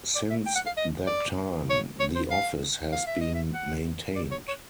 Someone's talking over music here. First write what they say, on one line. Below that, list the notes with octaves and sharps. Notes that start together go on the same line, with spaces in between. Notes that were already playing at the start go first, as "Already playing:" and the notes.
Since that time, the office has been maintained.
D5
E5
G5
F#5
F5
D#5
D5
C#5
C#5
C5
F5
F5
E5
D#5
E5
F#5
D5
C#5
C#5